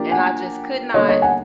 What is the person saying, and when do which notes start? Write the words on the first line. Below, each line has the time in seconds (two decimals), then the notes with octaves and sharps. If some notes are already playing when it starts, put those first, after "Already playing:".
And I just could not
Already playing: F3 A#3 D4 G4 A#4
0.11 F#5 G#5
0.94 D3 G3 A#3 C#5 D#5
1.09 C#5 D#5
1.22 F#5 G#5